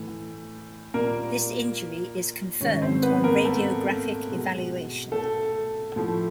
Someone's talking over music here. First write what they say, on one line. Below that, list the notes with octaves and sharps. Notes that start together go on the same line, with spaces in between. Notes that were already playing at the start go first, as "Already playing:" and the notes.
This injury is confirmed on radiographic evaluation.
Already playing: A2 E3
A#2 G3 A#3 A#4
G#2 D#3 G#3 C#4 C#5
C4 C5
B3 B4
A#3 A#4
A3 A4
B2 G#3
A3 A4
A2 F3 A3